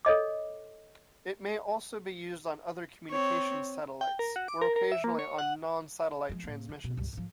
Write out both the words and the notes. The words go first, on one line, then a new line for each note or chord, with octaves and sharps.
It may also be used on other communications satellites, or occasionally on non-satellite transmissions.
A4 C#5 D#5 D6
C4 C#5
G5
A#4
F#4
D6
A#4
A#4
E5
A#3
C#5
F#5
F3 G#3
A2 A#3
D#3
B2
C#2 G2
G#2 F3